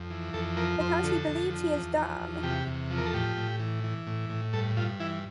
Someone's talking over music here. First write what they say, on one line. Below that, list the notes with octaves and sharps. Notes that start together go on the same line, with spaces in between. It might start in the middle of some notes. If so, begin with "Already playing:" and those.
Because he believes he is dumb.
Already playing: F2
E3
F2 A4
F3 A#4
F2 C5
D3 A4
F2
F3
E2
F3
E2
C3 G4
E2
F3
A#4
A4
A2 G4
A2
E3
E3
A2
A2
G2 A4
G2 F4
E3 E4